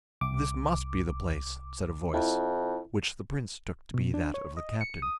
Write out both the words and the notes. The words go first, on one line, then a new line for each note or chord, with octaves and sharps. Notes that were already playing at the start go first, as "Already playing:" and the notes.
'This must be the place,' said a voice, which the prince took to be that of the captain.
C2 D6
F2 E4
B2
D4
C#5
D#5
C#7
D#6